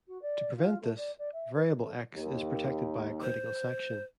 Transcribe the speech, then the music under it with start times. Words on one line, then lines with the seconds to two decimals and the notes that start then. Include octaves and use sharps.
To prevent this, variable 'x' is protected by a critical section.
0.07 F#4
0.21 D5
0.56 F4
0.80 A3
0.96 D5
1.18 D5
1.32 E5
1.54 B4
1.77 A3
2.15 D#2
3.21 C5